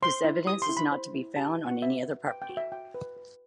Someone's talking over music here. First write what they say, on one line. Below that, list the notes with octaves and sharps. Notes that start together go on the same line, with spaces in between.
This evidence is not to be found on any other property.
C5 C6
E4
G4 D#6
C6
E4
B5
C5
E4
G4 A5
E4
F#5
F#4 E5
B4
B4 G5
G5
F#4
E5
F#4 G5
B4
B4